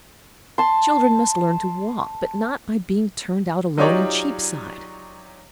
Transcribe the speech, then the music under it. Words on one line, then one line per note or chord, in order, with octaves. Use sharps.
Children must learn to walk, but not by being turned out alone in Cheapside.
A5 C6
F#3 D#4 F4 G4 C#5 D5